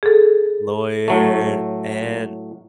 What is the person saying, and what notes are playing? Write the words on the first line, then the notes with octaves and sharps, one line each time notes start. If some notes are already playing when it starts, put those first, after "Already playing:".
lawyer, and
G#4 A4
A2 F#3 A3